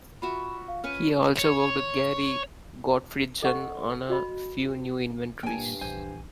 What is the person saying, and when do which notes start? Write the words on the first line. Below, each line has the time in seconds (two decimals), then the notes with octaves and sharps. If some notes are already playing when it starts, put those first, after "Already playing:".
He also worked with Gary Gottfredson on a few new inventories.
0.22 F4 F#4 E5 B5
0.68 F5
0.84 C#4 B4 C#6 F6 D#7
1.38 C#5
3.42 A4 D#5 F#5 C#6
4.10 F#4 D#5 B5
5.43 G2 A#2 G5 G#5
5.81 A#1 E2 C5 G#5